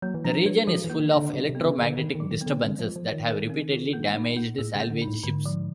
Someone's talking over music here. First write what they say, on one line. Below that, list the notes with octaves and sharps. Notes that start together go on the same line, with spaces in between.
The region is full of electro-magnetic disturbances that have repeatedly damaged salvage ships.
F#3 A#3
E3
F3 D4
F#3 B4
F3 F#4
E3
A#3
D#3
D4
D3
C#3 F#3
C3
B3
C#3
G#4
D3
D#3 D#4
D#3
F#3
D#3
B3
D3
D3 C4
F3
F4
F3
C#5
D#3
A#4
C4
F4
A#3
D#4
A#3
A2 G#4
C#3 A#3
D3
D#4
A2
G#2 D3
F3